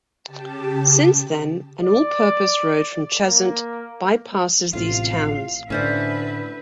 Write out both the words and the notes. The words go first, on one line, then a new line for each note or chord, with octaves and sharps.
Since then, an all-purpose road from Cheshunt by-passes these towns.
C#3 G4 A5
D5
A#3
A1 A2 C3 F4 F5
A2 D3 C#4 B4 C5 D5 E5